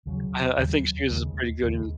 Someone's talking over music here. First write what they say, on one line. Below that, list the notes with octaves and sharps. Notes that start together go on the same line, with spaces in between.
I I think she was, uh, pretty good in
D#2 C#3 F#3
D#2 C#3 F#3
D#2 C#3 G#3
D#2 C#3 G#3